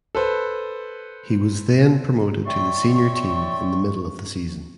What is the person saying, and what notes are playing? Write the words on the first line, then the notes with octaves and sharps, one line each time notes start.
He was then promoted to the senior team in the middle of the season.
A4 B4 C5
C#5 D5 E5 G5 C6 C#6